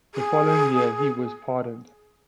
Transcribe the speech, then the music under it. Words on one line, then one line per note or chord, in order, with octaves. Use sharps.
The following year, he was pardoned.
G#4